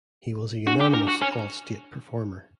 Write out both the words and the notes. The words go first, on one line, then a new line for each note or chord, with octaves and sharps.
He was a unanimous all-state performer.
D4 F#4
G4
A#4
F#4
C#4